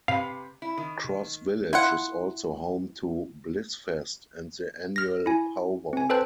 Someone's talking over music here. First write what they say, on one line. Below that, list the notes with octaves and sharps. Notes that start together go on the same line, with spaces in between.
Cross Village is also home to Blissfest and the annual pow wow.
C3 B4 F5
E4
D#3
E4 F4 F#5
F6 A#6
E4 G#5
C4 G#5
A4 B4 C5 G5 A5 F#6